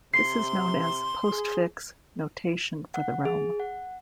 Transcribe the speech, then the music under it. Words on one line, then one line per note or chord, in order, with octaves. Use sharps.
This is known as "postfix" notation for the realm.
C3 C6 C7
G#4
F#5
G#4
F#5